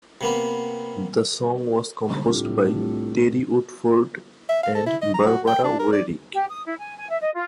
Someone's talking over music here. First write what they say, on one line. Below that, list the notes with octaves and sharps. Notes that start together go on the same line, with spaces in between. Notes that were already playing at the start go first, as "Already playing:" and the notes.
The song was composed by Terry Woodford and Barbara Wyrick.
C3 A#3 B3
C2 A2 A3 D4 F4 G4
E5
F5
A4
E4
D#5
A#5
F#4
G5
D4
A#4
D5
G4
D#6
E4
G#5
G#5
E5
D#5
F4